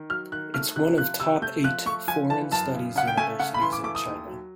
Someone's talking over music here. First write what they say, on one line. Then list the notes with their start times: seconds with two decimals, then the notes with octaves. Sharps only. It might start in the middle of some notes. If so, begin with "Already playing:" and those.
It's one of top eight foreign studies universities in China.
Already playing: D#3
0.10 F#3 F6
0.32 D#3 F#6
0.54 A3 F6
0.76 C3 F#6
0.98 F3 F#6
1.20 C3 E6
1.42 A3 G6
1.64 F3 F#6
1.86 A3 C#6
2.07 F3 G#5
2.30 E3 A5
2.51 F#2 A5
2.74 C#3
2.96 C#3 F#5
3.07 G5
3.17 A3 G#5
3.39 C#3 F#5
3.54 B5
3.61 E3 C6
3.73 D6
3.84 A3 D6
3.95 D#6
4.05 D#2
4.28 F#3